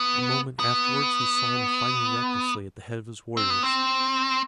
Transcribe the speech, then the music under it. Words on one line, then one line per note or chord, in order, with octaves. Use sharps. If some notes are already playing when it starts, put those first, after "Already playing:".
A moment afterward he saw him fighting recklessly at the head of his warriors.
Already playing: B3
B3
C4
B3
C4